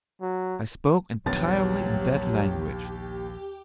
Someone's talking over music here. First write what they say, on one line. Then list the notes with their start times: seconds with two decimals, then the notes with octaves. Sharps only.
I spoke entirely in that language.
0.22 F#3
1.26 A#1 D#2 F#3 B3 G4 A6